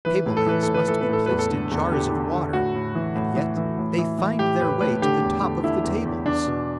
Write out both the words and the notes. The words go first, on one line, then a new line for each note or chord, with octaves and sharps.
Table legs must be placed in jars of water and yet they find their way to the top of the tables.
E3 B4
A2
A4
E3 B4
A2 A4
B4
E3 A4
B4
A2 A4
E2 B4
A4
D3
E2
D3 G4
D3
D3
A2 F#4
A2
E3
A2
E3
E3
A2
E3
E3
A2 G4
A2 B4
A2 B4
D3 G4
E2
D3
D3 E4
E2
E2
E2 D4
B2